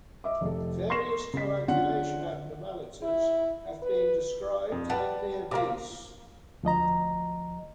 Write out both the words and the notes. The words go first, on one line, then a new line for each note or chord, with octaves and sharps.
Various coagulation abnormalities have been described in the obese.
D#5 E5 D6
F1 A4
C6 C#6 A#6 C7 E7
C#3 B6
D3 C#4 F4 F#5
E4
B4
F2
G3 B4 F#5 A5
C3 A#3 A#4 D6
D2 F3 D#5 A#5